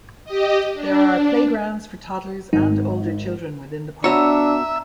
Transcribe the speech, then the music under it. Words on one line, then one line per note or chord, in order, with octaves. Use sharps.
There are playgrounds for toddlers and older children within the park.
G4 D#5
D4
G#1 D#4
B3 D4 F#4 C#5 E5 A#5 E6